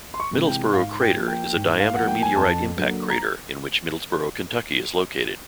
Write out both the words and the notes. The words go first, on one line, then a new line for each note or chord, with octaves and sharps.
Middlesboro crater is a diameter meteorite impact crater in which Middlesboro, Kentucky, is located.
C6
C#6
C3 E3 G#3
G5
G#2 F5
G5
F3 A#3
G5
G#2
F5
F3 A#3 F#5
G5
G#5
F2 A5
D3 F#3 A#3
A#5